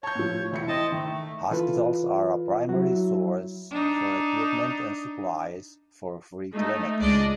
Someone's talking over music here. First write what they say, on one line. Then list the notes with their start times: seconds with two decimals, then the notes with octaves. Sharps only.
Hospitals are a primary source for equipment and supplies for free clinics.
0.03 C#5 A5 G6
0.15 A2 F3
0.51 E1 A2 E4 C#7
0.68 C4 E4 D#5 A5
0.92 D#3 A3
1.11 A3
1.51 E3 F4 A4 B4
2.69 F#3 E4 F#4
3.70 D4 D#4
6.54 A3 D#4
7.00 C#2 G#3 D4 D5 D#5